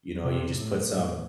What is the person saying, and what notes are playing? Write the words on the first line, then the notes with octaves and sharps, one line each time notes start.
you know, you just put some
C3
A2